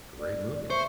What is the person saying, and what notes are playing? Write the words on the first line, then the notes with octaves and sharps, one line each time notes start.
Great movie.
D5
C5 E5 C#6